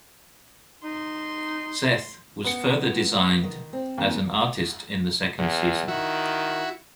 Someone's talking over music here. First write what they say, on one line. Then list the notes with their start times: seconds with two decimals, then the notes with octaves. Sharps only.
Seth was further designed as an artist in the second season.
0.84 D#4 C6
2.44 B3 C#7
3.43 D#3
3.73 C4
3.98 D#2
5.38 E2
5.88 D#3 E4 F#4